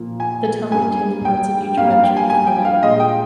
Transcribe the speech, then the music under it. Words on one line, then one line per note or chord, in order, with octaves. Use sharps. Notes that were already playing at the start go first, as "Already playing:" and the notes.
The town contains parts of each branch of Keuka Lake.
Already playing: A#2 F3 A#3
G#5
G2 G3 A#3 G#5
G5
G2 G3 A#3 F5
F5
G5
G#5
G#5
G5
F5
A#2 G#3 D#5
G5